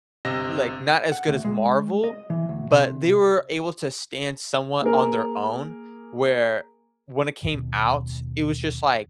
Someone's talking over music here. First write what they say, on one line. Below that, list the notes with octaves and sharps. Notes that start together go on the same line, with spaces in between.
like, not as good as Marvel, but they were able to stand somewhat on their own, where when it came out, it was just, like
G1 C3 D#5 F5 E6 A#6
F#5
D2
G#3
D#5
E3
D2
C3
A#3 G#4 A#4
F#1 D#2 B2